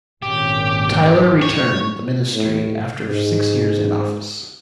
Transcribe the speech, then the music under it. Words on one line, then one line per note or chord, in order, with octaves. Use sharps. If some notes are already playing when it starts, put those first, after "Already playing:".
Tyler returned to the ministry after six years in office.
G#1 A#2 C#4 G4
C#5
A2
G#2